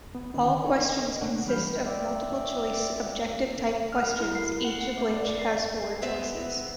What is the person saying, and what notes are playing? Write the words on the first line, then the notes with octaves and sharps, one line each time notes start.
All questions consists of multiple choice objective-type questions each of which has four choices.
B3
D3 D#3 B3 C#4 D#4
D4 D#4 A4 A#4 C#5 D5
D#5
C2 A3 A#3 D4 C#5 F#5
E3 G3 G#3 B5 F6 G6
C4 D5 E5
F6
A#4
E4
C7
F#5
F#5
A3
D5
C7
B3 C4 E5